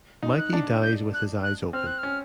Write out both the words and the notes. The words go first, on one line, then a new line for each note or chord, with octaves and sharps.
Mikey "dies" with his eyes open.
D#4
F#6
D4
G6
F#6
F#6
C4 F6
F#6
C#4 F6